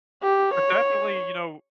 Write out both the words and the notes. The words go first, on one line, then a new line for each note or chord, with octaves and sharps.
but, definitely, you know,
G4
C#5